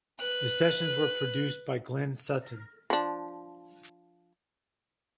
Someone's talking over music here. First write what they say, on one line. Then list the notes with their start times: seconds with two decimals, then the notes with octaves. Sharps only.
The sessions were produced by Glenn Sutton.
0.20 B4 F#6
2.90 F3 D4